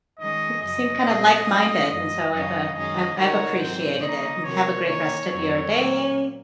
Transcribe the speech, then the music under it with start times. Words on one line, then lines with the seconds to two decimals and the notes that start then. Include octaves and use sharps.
It seemed kinda like-minded and so I've, uh, I've I've appreciated it and have a great rest of your day
0.19 D#3 G#3 C#4 G#4 D#5
0.61 F#2 C#3 F3 D#5
1.04 A#2 F3 C4 F4 G#4
1.46 F#3 C4 F4
1.88 F#2 F3 G#3 D#5
2.31 F#2 C#3 F#3 C#4 F4 D#5
2.74 F#2 D#3 G#3 C#4 G#4 D#5
3.16 C#3 G#3 D#4 F#4 A#4 C#5
3.58 G#2 F#3 C4 C5
4.01 C#3 F3 A#3 D#4 D#5
4.44 C3 F3 C4 F#4 A#4 C#5
4.86 D#3 A#3 C#4 C#5
5.29 F2 D#3 F#3 C4 C#5
5.71 A#2 F#3 A#3 C#5